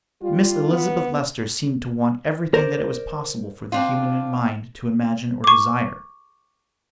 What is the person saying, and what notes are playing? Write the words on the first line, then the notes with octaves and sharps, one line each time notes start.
Miss Elizabeth Lester seemed to want everything that it was possible for the human mind to imagine or desire.
G3 F4
B3
A#4 C5 D5
C4 D4 F4
C#6 D6